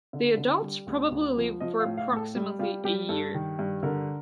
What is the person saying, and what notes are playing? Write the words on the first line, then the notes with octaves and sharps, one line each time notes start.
The adults probably live for approximately a year.
D3
D3
G3
D2
D2
F3
F3 D#5
F5
A2
F5
A2
A4
G3
G3 F4
G3 G4
G2 A4
D#3
G2
D3 A#4